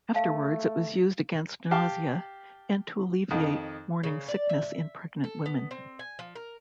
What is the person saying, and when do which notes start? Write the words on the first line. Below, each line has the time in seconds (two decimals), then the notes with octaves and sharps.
Afterwards it was used against nausea and to alleviate morning sickness in pregnant women.
0.14 A3 F5 A5
1.71 G4 F5 A5
3.31 F2 D#3
4.03 C#3
4.28 D5
4.49 E5
5.24 A4
5.46 B3
5.71 C4
5.99 G#5
6.19 F3
6.35 A#4